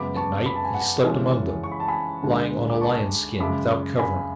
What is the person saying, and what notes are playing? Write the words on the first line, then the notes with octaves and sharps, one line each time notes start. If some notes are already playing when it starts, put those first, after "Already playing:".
At night he slept among them, lying on a lion skin without covering.
Already playing: F#2 C#3 G#3 B3 B5 D6
A5 C#6
B5
A5
G#5
F#5 A5
C#3 E3 G#3 C#4 E4
C#6
B5
A5
G#5 B5
D2 D3 G#3
D6
A5 C#6
F#2 C#3 G#3 B5 D6
G#5 B5